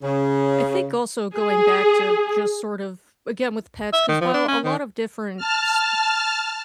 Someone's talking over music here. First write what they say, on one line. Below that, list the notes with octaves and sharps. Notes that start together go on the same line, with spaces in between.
I think also going back to just sort of again with pets, 'cause while a lot of different s
C#3
G#4
E5
D#3
F3
D4
C#4
D#3
A5 F6